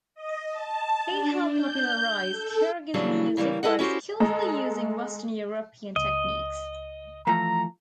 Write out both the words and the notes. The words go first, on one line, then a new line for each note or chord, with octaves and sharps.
He helped popularize Kyrgyz music by skillfully using Western European techniques.
D#5
A5
D4
G6
A4
C#3 E3 F#3 G3 D4
C#3 E3 G3 A#3
E4 A4 B4 D#5 F#5
C#4 E4 F#4 G4 C5
G#3 A4 D#5 A#5
C#2 D#5
E3 F3 A3 A#5